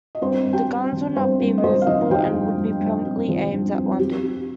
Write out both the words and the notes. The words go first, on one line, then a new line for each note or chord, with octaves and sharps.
The guns would not be movable and would be permanently aimed at London.
D#5
G2 C4 C5
G2
G4 G5
C4
F3
G2 C4 C5
G2 A#4
D#5
G2 C4 C5
F5
F3 D#4 D#5
F3 G4 G5
G2
G2
G2
C4
F3
G2
C4
C4 G4
C4 G4